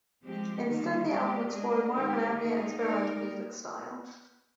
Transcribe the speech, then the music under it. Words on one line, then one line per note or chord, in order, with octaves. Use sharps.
Instead, the album explores more of an ambient and experimental music style.
F3 G#3 C4 G4
D#3 G3 A#3 D#4
G#3 C4 G4 D5
G#3 D4 G#4 D#5
D#3 G#3 D#4 G4 A#4
A#3 D#4 G#4 D#5
A#3 D#4 A#4 D5